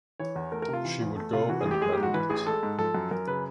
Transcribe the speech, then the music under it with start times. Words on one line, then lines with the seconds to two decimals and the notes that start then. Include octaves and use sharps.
She would go and mend it.
0.20 E3 C#5
0.36 E2
0.52 A3 A#4
0.62 A#4
0.68 C3 F4
0.85 E3
1.01 E2
1.17 A3
1.33 C3 F4
1.49 E3 F#4
1.60 A1 G#4
1.71 G4
1.81 G#3 G#4
1.92 G4
1.97 G#2
2.03 F#4
2.14 E3 B4
2.30 A1 G#4
2.46 G#3 A4
2.63 G#2
2.78 F3 A4
2.95 F#2
3.11 F#2 A#4
3.27 C#3 B4